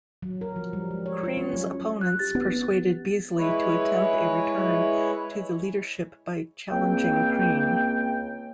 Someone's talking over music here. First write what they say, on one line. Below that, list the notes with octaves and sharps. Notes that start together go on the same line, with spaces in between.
Crean's opponents persuaded Beazley to attempt a return to the leadership by challenging Crean.
F#3
A#4
F3
G3
G#3
C#5
F4
C#4
F#3
F#6
G4 A6
B3
G#3 E4 B4 C#5
C#2 A#3 C4 G5